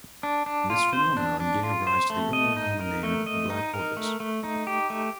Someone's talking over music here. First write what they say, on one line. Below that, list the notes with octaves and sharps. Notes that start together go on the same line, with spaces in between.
This phenomenon gave rise to the earlier common name, black porpoise.
D4
D4
F4
C5
D4
D4
F4
C5
A3
D#5
D#4
A#4
A3
D#5
D#4
A#4
A3
A3
D#4
G4
A3